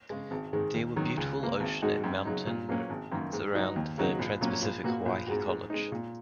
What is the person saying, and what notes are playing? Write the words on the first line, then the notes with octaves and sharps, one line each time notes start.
There were beautiful ocean and mountains around TransPacific Hawaii College.
C#3 G#3
G#1
G#2 D#3 G#3
D#2
D#3 F#3
C#2
C#3 A#3
G#1
G#2 G#3 D#4 F#4
F#2
C#3 F#3 D#4
A#2
F#3 A#3 C#4
G#1
F#2 D#3 A#3
G#2
F#3 D#4 F#4
D#2
C#3 F#3 D#4 F#4
A#1
A#2 F#3 A#3 C#4
A#1
A#2 A#3 F#4
A#1
G#2 G#3 F#4
G#2
G#3 D#4
A#2